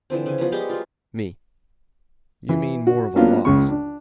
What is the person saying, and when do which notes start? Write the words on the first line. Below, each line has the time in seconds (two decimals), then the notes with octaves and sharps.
ME: You mean more of a loss.
0.10 D3 E3 F3 C4
0.26 C#3 G#5
0.38 F3 G3 B3
0.52 G3 G#3 G4 G#4
0.69 F#3 F4
2.49 E3
2.87 F#4
3.16 F#3 A#3 B3 C#4 D4 F4
3.45 C#2 C#3 C#6
3.69 D4